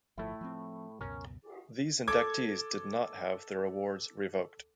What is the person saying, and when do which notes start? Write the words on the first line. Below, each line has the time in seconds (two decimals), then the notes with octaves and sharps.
These inductees did not have their awards revoked.
0.18 G1 A2 F3 A3 E4
0.41 F3 C4
1.01 C#2 F#2 B2 C#4 A#4
2.08 A4 D6 G#6